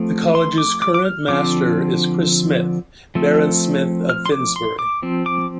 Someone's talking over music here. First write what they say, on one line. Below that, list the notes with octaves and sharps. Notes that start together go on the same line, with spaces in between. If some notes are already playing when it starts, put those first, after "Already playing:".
The college's current master is Chris Smith, Baron Smith of Finsbury.
Already playing: F3 A3 C4
C6
D6
D6
D6
F6
D3 F3 C4 D6
F3 A3 C4
F6
C6
D6
C6
D6
F3 C4
D6